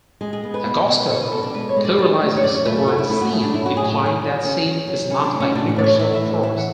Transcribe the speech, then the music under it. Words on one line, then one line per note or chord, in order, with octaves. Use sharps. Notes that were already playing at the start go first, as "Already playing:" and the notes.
The gospel pluralizes the word "sin" implying that sin is not a universal force.
G#3 G#4
G#4
B3
B4
B2
B2
B4
B2 C#5
B4
B2 A4
D4
G#3 B4
C#5
G#3
D5
D3 D5
A3
C#5
F#2 D5
C#5
A3 B4
A4
A3 F#4
E4
A3 E4
F#4
A3 G#4
D4
F#2 E4
F#4
A2 G#4
F#4
F#3
G#4
F#3
C#4
C#4
F#3
C#4 E4
D4
A2
C#4
A2 D4
F#4
A2 D5
C#5
E3 E5
E5
A2
E3 E5
F#5